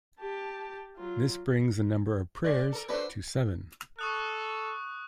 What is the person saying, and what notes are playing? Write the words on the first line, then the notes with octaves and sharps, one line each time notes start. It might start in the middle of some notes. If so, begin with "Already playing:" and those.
This brings the number of prayers to seven.
G4 A5
F#3 F4
G#3 D5
A4 A#4
D4 F#4 A4 B4 C5
A4 C#6 D#6 F#6